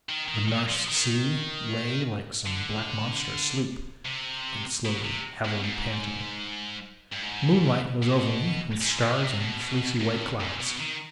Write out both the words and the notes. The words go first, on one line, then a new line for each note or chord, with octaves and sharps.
The Nares Sea lay like some black monster asleep, and slowly, heavily panting. Moonlight was over me, with stars and fleecy white clouds.
D#3
D#3
D#3
F3
D#3
D3
C3
B2
C3
B2
G#2
G2
G#2
B2
G#2
B2
D3
C3
B2
B2
G2
G#2
B2
D#3